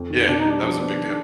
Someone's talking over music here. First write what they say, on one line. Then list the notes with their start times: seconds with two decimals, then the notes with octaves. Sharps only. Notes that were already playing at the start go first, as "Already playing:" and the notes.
Yeah, that was a big deal.
Already playing: F2
0.10 D#3
0.27 B2 D4
0.39 D#4
0.45 G3
0.51 D4
0.63 F3 D4
0.79 B3
0.97 D#3